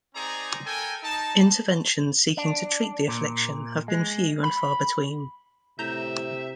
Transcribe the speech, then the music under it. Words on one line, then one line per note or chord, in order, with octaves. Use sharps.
Interventions seeking to treat the affliction have been few and far between.
C4 D#4 G#4 D5 A#5
A4 A#4 G5 G#5
D#4 A5
D4
A#2
G#3
B5
A2 C3 E5 A#5 G6